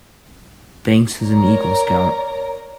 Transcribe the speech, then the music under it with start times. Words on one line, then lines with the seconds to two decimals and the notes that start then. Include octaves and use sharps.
Banks is an Eagle Scout.
1.22 A#4 C#5 D5 A#5